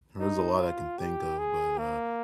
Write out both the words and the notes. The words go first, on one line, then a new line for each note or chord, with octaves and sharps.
There's a lot I can think of, but, uh,
D#4
F4
G4
G#4
A#3